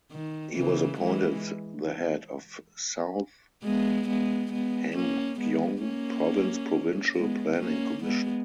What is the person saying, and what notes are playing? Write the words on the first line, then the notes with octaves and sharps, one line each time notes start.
He was appointed the head of South Hamgyong Province Provincial Planning Commission.
D#3
C#3 E3
E3 G#3
G#3 B3
G#3 B3
G#3 B3
A#3 C#4
G#3 B3
A#3 C#4
G#3 B3
A#3 C#4
G#3 B3